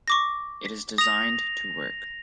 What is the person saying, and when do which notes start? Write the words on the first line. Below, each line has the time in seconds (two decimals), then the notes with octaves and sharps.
It is designed to work.
0.08 C#6 D6 A#6
0.98 D#6 A#6 F7